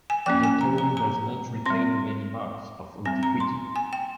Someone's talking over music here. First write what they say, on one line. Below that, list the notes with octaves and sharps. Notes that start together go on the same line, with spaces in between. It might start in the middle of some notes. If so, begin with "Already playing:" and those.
The town does not retain many marks of antiquity.
G#5
F3 A#3 C#4 G5
G#5
A#5
A#5
A#5
G3 C4 C6
G3 C4 G#5
A#5
C6
G#5
G5